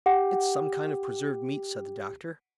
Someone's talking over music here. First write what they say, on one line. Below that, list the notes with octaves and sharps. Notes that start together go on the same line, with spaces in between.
"It's some kind of preserved meat," said the doctor.
G4 F#5